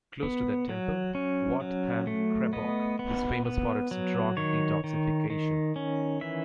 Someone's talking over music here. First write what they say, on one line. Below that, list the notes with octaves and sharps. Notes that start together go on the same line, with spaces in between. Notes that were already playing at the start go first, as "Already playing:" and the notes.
Close to that temple, Wat Tham Krabok is famous for its drug detoxification.
B3
F#3
C#4
F#3
A3
B3 D#5
B3
B3
F#3
D#3 C#5
D#3
D#3
C#4
E3 E5